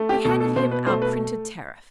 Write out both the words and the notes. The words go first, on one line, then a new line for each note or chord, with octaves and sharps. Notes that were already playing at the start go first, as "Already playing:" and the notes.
We handed him our printed tariff.
Already playing: A3
G4
B2 A4
A4
B2 C5
B4
A3 C5
B4